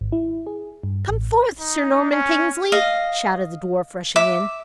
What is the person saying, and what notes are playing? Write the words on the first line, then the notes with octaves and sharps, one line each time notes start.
"Come forth, Sir Norman Kingsley!" shouted the dwarf, rushing in.
G#1
E4
G#4
G2
A1
D#4
C#4
D#5 F5
E5 D6